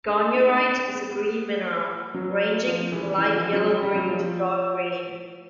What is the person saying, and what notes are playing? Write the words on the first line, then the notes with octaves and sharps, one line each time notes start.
Garnierite is a green mineral, ranging from light yellow-green to dark green.
D4
D#4
D4
C4
B3
B3
F#3
F3
E3
E3
F3
F#3
G3
G3
F#3
F3